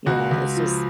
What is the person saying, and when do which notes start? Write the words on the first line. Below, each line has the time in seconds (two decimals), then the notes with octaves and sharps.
Yeah, it's just
0.06 C#2 F#4
0.31 C#2
0.56 F3